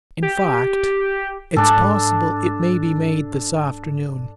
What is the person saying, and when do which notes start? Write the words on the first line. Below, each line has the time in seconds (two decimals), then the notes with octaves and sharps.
In fact, it's possible it may be made this afternoon.
0.22 G4
1.56 G#2 D4 A4